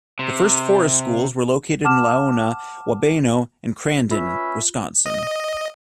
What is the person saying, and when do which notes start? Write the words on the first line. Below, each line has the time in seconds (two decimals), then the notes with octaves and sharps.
The first forest schools were located in Laona, Wabeno and Crandon, Wisconsin.
0.19 C3
1.84 F#5 A5 D6 F6 E7
4.11 C#4 F4 B4 E5
5.06 D#5